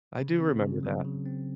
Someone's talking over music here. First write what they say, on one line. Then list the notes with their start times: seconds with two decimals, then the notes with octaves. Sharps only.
I do remember that.
0.19 C#3
0.40 C4
0.62 C#3
0.83 F#3
1.05 C#3
1.25 C4